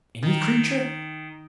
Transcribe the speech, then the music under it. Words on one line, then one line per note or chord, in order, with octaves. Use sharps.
"Any creature?"
D#3